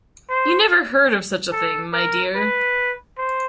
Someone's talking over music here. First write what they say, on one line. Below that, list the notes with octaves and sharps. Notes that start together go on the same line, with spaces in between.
You never heard of such a thing, my dear!
C5
A4
A#4
B4
C5